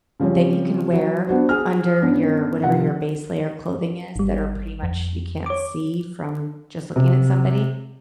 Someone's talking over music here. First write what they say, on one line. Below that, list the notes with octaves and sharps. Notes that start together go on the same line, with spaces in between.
that you can wear under your whatever your base layer clothing is, that are pretty much you can't see from just looking at somebody,
C#3 F3 G3 C4 C#4
F#3
B3 D4 F#4 C5
G#4 F6
G2 B3 C#4
C3 F3 F#5
G#1 G3
F2
C#5 D6
C3